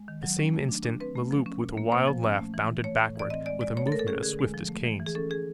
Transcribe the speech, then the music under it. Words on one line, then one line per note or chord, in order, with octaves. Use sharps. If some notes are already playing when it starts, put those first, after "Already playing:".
At the same instant Le Loup with a wild laugh bounded backward with a movement as swift as Kane's.
Already playing: G#3
D#3
F#3
C#4
A3
D4
D4
C4 B4
A3
F3
C#4
A#2
A#3
A#3 C5
F3
C#4
A3
E3
E3
A3 C#5
A2
E3 D5
C4 D#5
G#3 D5
G#3 D5
A3 C#5
A4
A3 A#4
A4
C#4 G#4
D3 G#4
G#3
F3
A3
E3
E3
G#4
C#4 A4
C#4 G#4